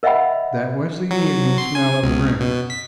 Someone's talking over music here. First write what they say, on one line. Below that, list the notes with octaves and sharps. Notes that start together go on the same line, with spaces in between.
That was the evening smell of the room.
A#4 D#5 E5 F#5 G5 B5
F#3
C6
G#5
C#2
B2
B6